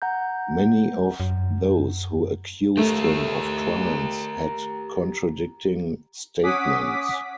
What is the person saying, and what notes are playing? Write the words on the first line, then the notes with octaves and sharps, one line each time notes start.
Many of those who accused him of crimes had contradicting statements.
F#5 A#5 G6
F#2
A3 G4 A#4
C#4 F#5 D6 D#6 B6